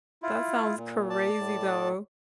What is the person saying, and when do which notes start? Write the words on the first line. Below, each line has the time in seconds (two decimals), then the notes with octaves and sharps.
That sounds crazy, though.
0.23 E4 F4
0.77 A#2
1.10 D5 A5
1.39 A2